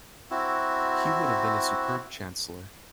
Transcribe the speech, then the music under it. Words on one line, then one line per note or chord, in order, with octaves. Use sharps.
He would have been a superb Chancellor.
C4 E4 F#4